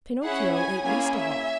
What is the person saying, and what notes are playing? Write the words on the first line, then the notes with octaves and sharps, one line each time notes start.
Pinocchio ate least of all.
C#4 E4 G#4 F#5
G#5
A#3 C#4 E4 G#4 G#5
E5